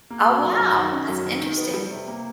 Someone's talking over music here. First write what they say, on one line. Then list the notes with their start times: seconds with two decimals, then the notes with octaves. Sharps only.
Oh, wow! That's interesting.
0.10 A#3
0.26 B2
0.43 F#3
0.60 F#2
0.76 D#3
0.92 C#4
1.08 F#2
1.25 D#3
1.42 D#3
1.58 B3
1.74 G3
1.91 C3
2.08 A#3